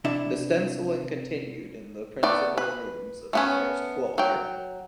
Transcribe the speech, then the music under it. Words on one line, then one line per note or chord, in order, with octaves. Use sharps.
The stenciling continued in the principle rooms of the first floor.
C3 D4 E4 E5
A3 B3 D5
B4
A3 B3 C#4
F#3 G5